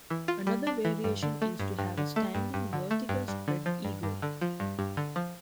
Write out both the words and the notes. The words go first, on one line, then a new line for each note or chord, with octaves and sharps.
Another variation is to have a standing, vertical spread eagle.
E3
F4
G3
D4
E3
G2
D3
A3
G2
G2
D3
A3
G2
G2
D3
A3
G2
G2
D3
F3
G2
G2
D3
F3
G2
G2
D3
F3